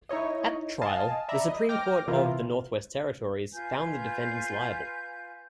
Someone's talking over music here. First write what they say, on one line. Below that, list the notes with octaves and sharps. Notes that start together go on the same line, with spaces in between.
At trial, the Supreme Court of the Northwest Territories found the defendants liable.
D#4 E4 C#5 D#5
D#5 F5 G#5 A5
D5 E5 A#5 B5
D#5
G5 D6 F6 G6 A#6
C3 E3 E4 F4 A#4
F4 B4 G#5 G6